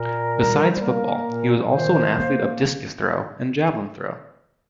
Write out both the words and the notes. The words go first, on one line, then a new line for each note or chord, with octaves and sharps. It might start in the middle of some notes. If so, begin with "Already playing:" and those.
Beside football, he was also an athlete of discus throw and javelin throw.
Already playing: A#2 A#4
G3
C5
A#3 A#4
A#2
D#3 C5
A#3